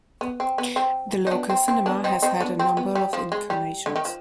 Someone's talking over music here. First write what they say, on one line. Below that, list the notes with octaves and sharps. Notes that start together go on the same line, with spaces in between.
The local cinema has had a number of incarnations.
B3
C4
B3
C4
D#4
B3 D4
C4
C4
B3 D4
C4 D#4
C4 D#4
B3 D4
C4
B3
G3
F3
G#3
G3
D3
D#3
F3